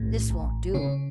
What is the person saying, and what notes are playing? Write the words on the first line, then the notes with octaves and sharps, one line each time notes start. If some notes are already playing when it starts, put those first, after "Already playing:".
This won't do.
Already playing: B1 A2
A1
C#3 C#4